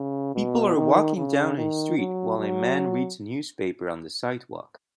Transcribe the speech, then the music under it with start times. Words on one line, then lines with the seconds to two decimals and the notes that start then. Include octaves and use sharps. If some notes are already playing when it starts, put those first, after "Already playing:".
People are walking down a street while a man reads a newspaper on the sidewalk.
Already playing: C#3
0.35 B2
0.76 D#3
1.17 C#3
1.58 D#3
1.98 F#3
2.38 F#3